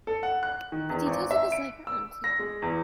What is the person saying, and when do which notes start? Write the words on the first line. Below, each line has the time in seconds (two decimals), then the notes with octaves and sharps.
The details of his life are unclear.
0.07 A4
0.23 F#5
0.43 F#6
0.72 D#3
0.90 E2
1.06 G#1
1.31 E5
1.52 D7
1.87 E6
2.24 A#6
2.39 G#3
2.62 E2